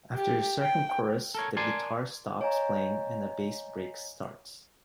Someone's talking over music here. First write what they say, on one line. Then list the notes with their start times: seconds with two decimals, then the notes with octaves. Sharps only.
After the second chorus the guitar stops playing and a bass break starts.
0.16 G4
0.62 G5
1.35 A4 A#4 C#5
1.57 A#4 D5 G#5 A5 C6
2.41 C#5 D#5 F5 G#5 A#5